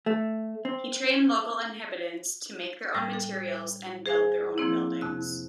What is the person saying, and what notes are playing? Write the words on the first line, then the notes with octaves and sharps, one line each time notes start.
He trained local inhabitants to make their own materials and build their own buildings.
A3
C4
A2 G3 A6
A4
G#4 C5 F5 G#5
F3 A#3 C4 E4
F2 C3 F#6